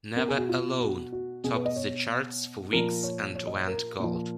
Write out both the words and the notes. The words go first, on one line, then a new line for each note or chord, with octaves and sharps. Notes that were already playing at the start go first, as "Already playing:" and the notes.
"Never Alone" topped the charts for weeks and went gold.
B2 A#4
G#4
F#4
F4
F#4
F#4
B2 G#4
B4
D#5
C#5
A#2 F3 A#4
C#5
C#5
D#5
C#5
A#4
A#2 F3